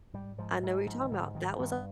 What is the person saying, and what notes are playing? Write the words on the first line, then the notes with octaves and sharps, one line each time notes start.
I know what you're talking about, that was
G#2 G3
G#2 F3
G#2
G#2 F3
D#3
G#2 D3
G2 D#3
G2 D#3